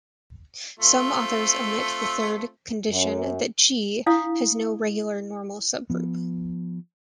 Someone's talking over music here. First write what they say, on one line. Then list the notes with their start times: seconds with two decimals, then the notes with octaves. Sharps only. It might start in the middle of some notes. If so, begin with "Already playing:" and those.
Some authors omit the third condition that "G" has no regular normal subgroup.
0.80 A3 C4 F4
2.89 F#2
4.06 D4 E4 F5 D#6
5.90 F3 B3